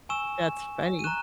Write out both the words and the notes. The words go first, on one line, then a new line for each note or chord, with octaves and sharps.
That's funny.
G#5 C#6 E6 E7
D#7
A#5 C#6 F#6 E7